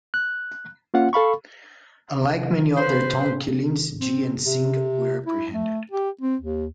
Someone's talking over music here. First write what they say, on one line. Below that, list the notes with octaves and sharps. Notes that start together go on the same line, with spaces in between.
Unlike many other Tong killings, Gee and Sing were apprehended.
F#6
A#3 C#4 F4 F5 F#5
A4 F5 B5 C#6
B4 C5
C4
C3
E4
A3
G4
C4
D#2